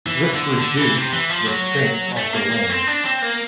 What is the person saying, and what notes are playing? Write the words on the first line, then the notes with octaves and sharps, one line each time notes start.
This reduced the strength of the wings.
E3
D3
D3
E3
C3
E3
F3
F#3
A3
A#3
A#3
C4
D4
C4
A#3